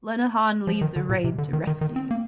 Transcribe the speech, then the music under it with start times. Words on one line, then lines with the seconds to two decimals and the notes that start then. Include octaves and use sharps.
Lenihan leads a raid to rescue him.
0.67 F3
0.81 D#3
0.96 D3
1.09 A#2
1.24 C3
1.38 D3
1.53 D#3
1.67 D#3
1.81 D#3
1.96 C4
2.11 A#3